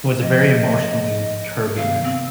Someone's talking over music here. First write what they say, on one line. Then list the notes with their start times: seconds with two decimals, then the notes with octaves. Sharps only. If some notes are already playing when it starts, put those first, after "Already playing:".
it was a very emotionally turbulent,
0.21 F3 D#5
1.77 C3 D#3 B3 F5
2.04 C4